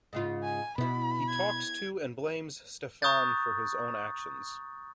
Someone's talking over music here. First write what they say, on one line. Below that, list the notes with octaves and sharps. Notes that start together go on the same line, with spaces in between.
He talks to and blames Steffen for his own actions.
G#2 C#3 F4
G#5
B2 B3 E4 B5
G#6
A#5 C#6 D#6 F#6 G6 A6